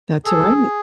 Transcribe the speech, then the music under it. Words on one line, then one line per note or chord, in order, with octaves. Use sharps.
That's right.
G#4 A4